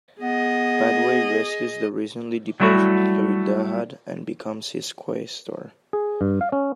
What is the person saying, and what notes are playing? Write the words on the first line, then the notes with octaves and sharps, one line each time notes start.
Padway rescues the recently deposed Thiudahad and becomes his quaestor.
B3 G#4 D#5
F#3 G3 A3 E4 F#4
G#4
G2
F5
C#4